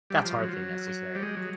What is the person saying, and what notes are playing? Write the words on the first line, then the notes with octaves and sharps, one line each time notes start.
That's hardly necessary.
G3
F3
F#3
F3
F#3
G3
G#3
F#3